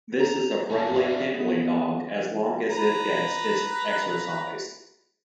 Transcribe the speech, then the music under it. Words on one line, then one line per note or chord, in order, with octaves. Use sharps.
This is a friendly family dog, as long as it gets its exercise.
A#5
F2 C#4 G#5 A5
F#4 D5 E5 F5
B3
B4 A#5